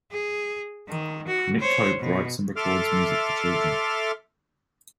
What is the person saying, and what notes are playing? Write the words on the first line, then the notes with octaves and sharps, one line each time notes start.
Nick Cope writes and records music for children.
G#4
D#3
F#4
C5 C#5
B2
A4 E5 C6 D6 F6